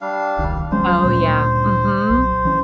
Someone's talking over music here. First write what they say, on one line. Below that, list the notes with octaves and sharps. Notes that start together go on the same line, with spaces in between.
Oh, yeah, mhm.
G3 D4 F5
E1 C#2 D#3
F#3 G#3 C#4 C5
D2 G2 A#2
B1
E3 C#4